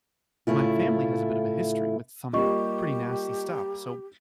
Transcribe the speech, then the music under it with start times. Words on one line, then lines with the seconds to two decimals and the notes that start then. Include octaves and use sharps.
my family has a bit of a history with some pretty nasty stuff, so
0.47 A2 C#3 A3 E4 F4
2.33 G3 A#3 F4 G4 D#5 C#6